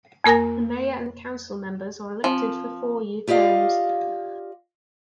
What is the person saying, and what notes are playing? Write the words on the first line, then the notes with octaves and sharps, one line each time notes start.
The mayor and the council members are elected for four-year terms.
F2 A#3 A#4 G#5 A#6
F3 C4
F4 G4 D5 D#5 F5